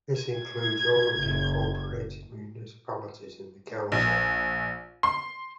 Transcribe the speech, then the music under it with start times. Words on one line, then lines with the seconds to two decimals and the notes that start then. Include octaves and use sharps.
This includes all of the incorporated municipalities in the county.
0.21 G#6
1.18 F#1
3.92 A#1
5.03 C6